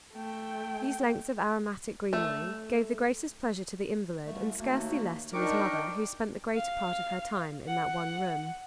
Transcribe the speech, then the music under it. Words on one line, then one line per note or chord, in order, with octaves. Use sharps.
These lengths of aromatic greenery gave the greatest pleasure to the invalid, and scarcely less to his mother, who spent the greater part of her time in that one room.
A3 G5
A3
C2 A3
D#2 A3 A#3 F#4
D4 D#4 A#4 G5 C#6 D6
F5
F#5